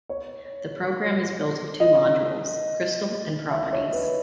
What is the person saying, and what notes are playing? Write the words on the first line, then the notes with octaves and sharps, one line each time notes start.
The program is built of two modules: "crystal" and "properties".
C#5
D#5
E5
C#5
B4